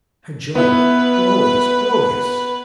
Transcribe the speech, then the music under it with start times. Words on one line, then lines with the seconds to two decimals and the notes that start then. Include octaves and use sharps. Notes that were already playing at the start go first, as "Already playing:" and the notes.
By Jove! glowious! glowious!
0.55 B3 E4 B4